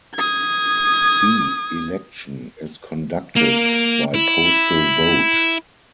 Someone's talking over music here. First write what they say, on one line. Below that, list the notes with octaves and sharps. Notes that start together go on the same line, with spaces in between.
The election is conducted by postal vote.
D#6 G#6
A#3
E4